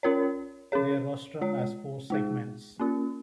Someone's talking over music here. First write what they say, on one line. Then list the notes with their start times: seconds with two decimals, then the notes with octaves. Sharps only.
Their rostrum has four segments.
0.03 C#4 F4 A#4 C#5
0.72 C#4 G#4 C#5
1.41 G#3 F4 C#5
2.10 G#3 D#4 G#4
2.79 A#3 C#4 F4